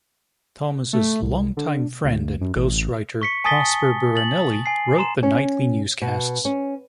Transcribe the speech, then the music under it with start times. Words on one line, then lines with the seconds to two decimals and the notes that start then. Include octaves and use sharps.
Thomas' long-time friend and ghostwriter Prosper Buranelli wrote the nightly newscasts.
0.93 A3
1.22 C2
1.57 D3
2.04 D2
2.41 F#2
2.56 A1
3.21 C#6 B6 C#7
3.44 G#5 A5 D#6 A6 B6 G7
4.15 A6 F#7
4.66 G#5 C7
4.98 A#5 C6 E7
5.23 C#4
6.02 B2
6.45 C#4